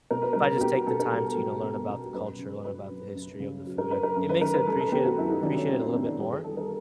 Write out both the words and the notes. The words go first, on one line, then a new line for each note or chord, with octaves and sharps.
if I just take the time to, you know, learn about the culture, learn about the history of the food, I it makes it appreciate appreciate a little bit more,
B2 A#4
B4
G3 A#4
F#4
B3 G4
F#4
B2 A4
A#4
B2
G3
B3
B2
F#2 B4
C#3
F#3 B4
F#2
F#2
C#3
F#3
A#4
F#2 B4
A#4
F#2 A4
B4
D#3 A#4
B4
G3 A4
A4
B3 G4
F#4
F#2 E4
D#4
D#3 D4
C#4
G3 C4
C4
B3 D4
D4
G2 G4
G#4
E3 A4
A#4